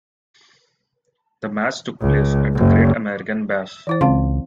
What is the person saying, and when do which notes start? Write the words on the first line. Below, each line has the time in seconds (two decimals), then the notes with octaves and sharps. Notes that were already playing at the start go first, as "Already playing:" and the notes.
The match took place at The Great American Bash.
2.01 C#2
2.55 F#1
3.87 E3 E4 C5
4.01 C#2 C4 F5 C6